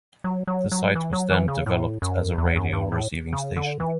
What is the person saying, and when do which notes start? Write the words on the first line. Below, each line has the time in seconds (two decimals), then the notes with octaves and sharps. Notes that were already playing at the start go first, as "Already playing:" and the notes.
The site was then developed as a radio receiving station.
0.24 F#3
0.47 F#3
0.72 F#3
0.95 E3
1.13 F#3
1.30 E3
1.48 C#3
1.66 A2
2.02 F#2
2.38 E2
2.56 F#2
2.73 G2
2.92 A2
3.33 C#3
3.56 D3
3.80 E3